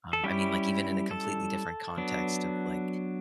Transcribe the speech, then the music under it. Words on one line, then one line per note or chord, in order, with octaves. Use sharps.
Um, I mean, like, even in a completely different context of, like
A4
G3 C#4 E4 G4
A4
F#3 B3 D4